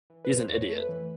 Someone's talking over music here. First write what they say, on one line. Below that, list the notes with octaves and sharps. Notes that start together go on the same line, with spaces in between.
he's an idiot.
E3
A3 B4
C5
F2 C#5
A3
B4
E3